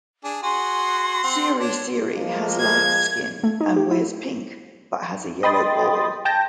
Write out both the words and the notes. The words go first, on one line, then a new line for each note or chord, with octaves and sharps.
CereCere has light skin and wears pink, but has a yellow ball.
D4 G#4
F#4 G#4 F#5 C6
C4 F#5
D4 C#5
F3 G#3 A#3
G#6
A3
D#4
G4
E4
D#5 G5 B5 C6 D#6 A6
G5 A5 G6 A#6